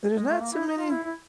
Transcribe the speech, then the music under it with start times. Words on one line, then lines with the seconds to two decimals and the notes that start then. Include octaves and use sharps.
there's not too many
0.16 G#3
0.28 A3
0.40 A#3
0.53 E4
0.65 D#4
0.78 F4
0.89 E4
1.02 E4